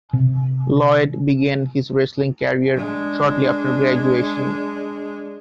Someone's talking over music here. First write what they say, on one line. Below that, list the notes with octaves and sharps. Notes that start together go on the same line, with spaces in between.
Lloyd began his wrestling career shortly after graduation.
C3 C4
G#3 D4